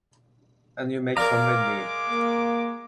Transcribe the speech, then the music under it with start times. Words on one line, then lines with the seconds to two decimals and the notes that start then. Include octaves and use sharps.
And you may come with me.
1.17 G#3 A#4 D5 F5 A#5 D6
2.10 A#3